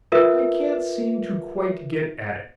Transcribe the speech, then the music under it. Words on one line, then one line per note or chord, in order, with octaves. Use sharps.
I can't seem to quite get at it.
F4 A#4 B4 E5